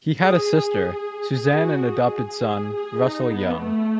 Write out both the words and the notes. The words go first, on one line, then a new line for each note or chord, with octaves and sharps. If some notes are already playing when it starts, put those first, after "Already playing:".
He had a sister, Suzanne, and adopted son, Russell Young.
G#4
G#4
G#4
F#4
G#4
G#4
G#4
D#4
B3
A3